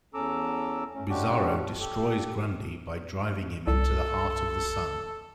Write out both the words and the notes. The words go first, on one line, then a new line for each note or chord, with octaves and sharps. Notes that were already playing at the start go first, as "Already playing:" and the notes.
Bizarro destroys Grundy by driving him into the heart of the Sun.
E2 C#4 A4 A#5 D6 E6
A3 C#4
C#3 G#3 A3 D4 F#4 G4
G4 A4
C2 A4